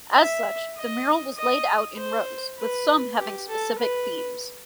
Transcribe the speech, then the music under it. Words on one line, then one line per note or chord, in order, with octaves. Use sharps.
As such, the mural was laid out in rows, with some having specific themes.
E5
D#5
D#5
C5
B4
G4
A4
B4